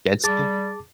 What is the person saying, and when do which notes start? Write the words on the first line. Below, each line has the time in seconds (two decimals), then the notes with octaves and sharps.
Against you?
0.24 G3 G#4 A5 D6 A6